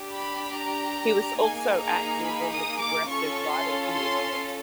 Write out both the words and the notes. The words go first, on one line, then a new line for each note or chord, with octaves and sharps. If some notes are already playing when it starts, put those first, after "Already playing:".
He was also active in the Progressive Writers Movement.
Already playing: D4 G4
B5
A#5
A#3 D#4 G#4 G#5
A#5
B5
D#6
D6
C#4 F4 A4 C#6
C6
C6